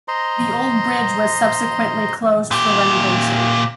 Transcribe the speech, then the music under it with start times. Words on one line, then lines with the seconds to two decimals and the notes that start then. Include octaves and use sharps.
The old bridge was subsequently closed for renovation.
0.08 C5 D#5 A#5 C6
2.51 A#2 G4